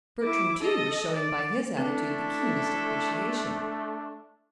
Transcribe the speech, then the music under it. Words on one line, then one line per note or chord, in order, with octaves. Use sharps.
Bertram, too, was showing by his attitude the keenest appreciation.
E4 D6
A4 D#5
D5
A3 C4 D4 E4 A4 B4